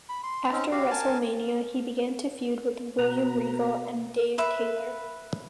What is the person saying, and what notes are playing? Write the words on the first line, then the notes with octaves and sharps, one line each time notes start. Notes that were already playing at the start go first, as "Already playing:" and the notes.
After WrestleMania, he began to feud with William Regal and Dave Taylor.
B5
C6
C4 C#4 D#4
F#4 G4 F5
A#4 G#5 A5
B2 B4 A#5
B4 E5 B5